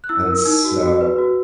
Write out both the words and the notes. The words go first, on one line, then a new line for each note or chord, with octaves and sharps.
And so,
F#6
E4 E6
A#4
D#4
F#4
F#4
B4
F#4